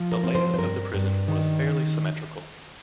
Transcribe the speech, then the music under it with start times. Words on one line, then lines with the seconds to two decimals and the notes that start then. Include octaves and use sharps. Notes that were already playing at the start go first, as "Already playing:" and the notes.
The layout of the prison was fairly symmetrical.
Already playing: F3
0.12 A#4
0.24 C4
0.35 C5
0.54 C5
0.59 G2 A#4
0.94 G2
1.28 D#3